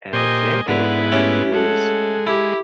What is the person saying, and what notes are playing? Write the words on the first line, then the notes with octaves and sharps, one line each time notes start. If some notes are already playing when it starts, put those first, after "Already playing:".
an example of that is,
A#2 G4 C5 D#5 G#5
G#2 D3 B3 E4 B4
A3 C#4 G4
G#3 A4 F#5
E4 G4